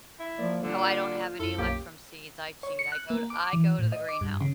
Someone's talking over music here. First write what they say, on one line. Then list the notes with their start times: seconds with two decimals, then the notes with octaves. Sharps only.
Oh, I don't have any luck from seeds, I cheat, I go I go to the greenhouse.
0.19 E4
0.38 F3 A#3 D5
0.63 D3 G3 F4
1.39 F#2 E4 A4
1.58 B1 A#3 G4 C#5
2.63 C#5
2.79 C#7
2.92 F#6
3.10 A#3
3.30 D6
3.53 E3
3.78 A2
3.92 D#5
4.09 D6
4.21 G2
4.41 C#3